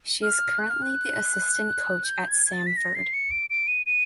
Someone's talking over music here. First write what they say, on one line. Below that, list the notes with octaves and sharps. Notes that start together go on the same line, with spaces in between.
She is currently the assistant coach at Samford.
F6
F#6
F6
F#6
G6
G#6
G#6
A6
B6
A#6
C7
C#7
D7
D7
D#7
D#7